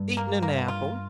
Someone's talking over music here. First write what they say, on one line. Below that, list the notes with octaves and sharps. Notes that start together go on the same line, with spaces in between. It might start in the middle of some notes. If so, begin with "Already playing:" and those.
"Eatin' 'n apple."
Already playing: G2
A#3
A#3
F4